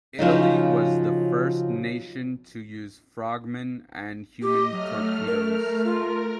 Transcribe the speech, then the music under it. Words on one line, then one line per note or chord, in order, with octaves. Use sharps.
Italy was the first nation to use frogmen and human torpedoes.
C#3 F3 F#3 D#4
G4 D#5
F#3 A3 F6
A#4
F4 A#4